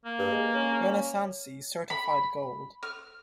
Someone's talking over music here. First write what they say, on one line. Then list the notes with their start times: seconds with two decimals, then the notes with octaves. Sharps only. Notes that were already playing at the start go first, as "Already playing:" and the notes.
Renesanssi certified gold.
0.05 A#3
0.19 G2
0.31 G#3
0.55 C#4
1.90 B5
2.83 F6